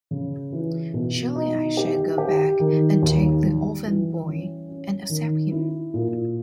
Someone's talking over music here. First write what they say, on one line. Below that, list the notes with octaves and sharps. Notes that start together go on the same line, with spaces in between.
Surely I shall go back and take the orphan boy and accept him.
C#3
E3
B2
D#4
G4
G4
D#3
D#2
G3
E3
C#4
C#4
D#3
E4
A#2